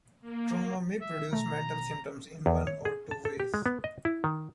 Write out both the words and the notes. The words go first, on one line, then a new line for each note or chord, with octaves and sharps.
Trauma may produce mental symptoms in one of two ways.
A#3
E5
B2 A3 A#5
E2
C#5
G#4
A5
A4
G4
G#3
B3
D#5
E4
D#3